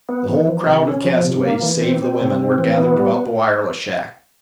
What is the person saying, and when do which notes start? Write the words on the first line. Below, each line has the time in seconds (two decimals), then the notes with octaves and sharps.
The whole crowd of castaways, save the women, were gathered about the wireless shack.
0.09 B3
0.28 E3
0.47 F3
0.66 C3
0.85 C#4
1.04 F3
1.24 C3
1.44 A#3
1.62 E3
1.81 C4
2.02 C4
2.21 C3
2.39 C4
2.58 E3
2.78 B3
2.97 G3